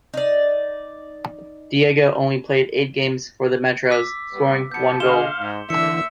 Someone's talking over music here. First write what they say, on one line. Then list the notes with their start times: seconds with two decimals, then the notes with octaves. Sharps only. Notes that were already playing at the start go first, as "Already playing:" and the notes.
Diego only played eight games for the Metros, scoring one goal.
0.14 D#4 D5
3.91 D6 E6 B6
4.33 G3 B3
4.71 F#1 B3 A5 G6 C#7
5.00 D3 G#4 D#5 F5 C6 E7 G7
5.39 G#2
5.70 D3 E3 E5 C#7